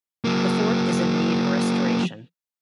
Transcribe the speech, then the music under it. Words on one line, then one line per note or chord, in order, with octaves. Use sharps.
The fort is in need of restoration.
F#3 A#3